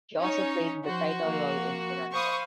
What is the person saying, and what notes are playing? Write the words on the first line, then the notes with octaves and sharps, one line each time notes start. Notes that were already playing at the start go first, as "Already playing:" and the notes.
She also played the title role in "Turandot".
C#4 D#4 C#5
F3 F#4 C5
F3 A#3
C5 F5 B5 C#6 D#6